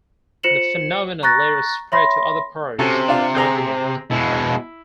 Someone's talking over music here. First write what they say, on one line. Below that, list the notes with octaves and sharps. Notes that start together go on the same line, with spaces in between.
The phenomenon later spread to other parts of the contintent.
F4 C5 C#7 E7 F#7
A#5 C#6 F#6 A6 A#6
C#5 E5 B5 C6 A#6
C3 C#4 F#4 A4
D4 F4
C4 G#4 A#5
B2 G#3 E4